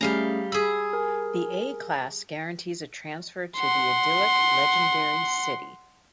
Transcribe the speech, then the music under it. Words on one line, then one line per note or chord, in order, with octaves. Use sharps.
The A class guarantees a transfer to the idyllic, legendary "City".
G3 A3 C#4 G#4 F5 A#5
G#4 B5 E6
A#4 G#5
F#5 C6